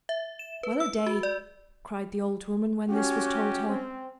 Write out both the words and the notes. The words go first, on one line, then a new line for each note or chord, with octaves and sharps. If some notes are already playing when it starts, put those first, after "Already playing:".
"Well-a-day," cried the old woman when this was told her.
E5
E7
B4
E6
F#4
D5
C#4 F#4 G4
C4